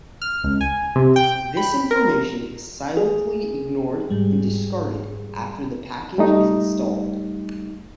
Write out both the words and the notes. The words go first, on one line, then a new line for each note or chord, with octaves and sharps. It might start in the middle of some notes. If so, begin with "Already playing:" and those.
This information is silently ignored and discarded after the package is installed.
F6
C#2
G#5
C3
G5
B5
A#4
G#4
G#2 G3
G3 A3 D#4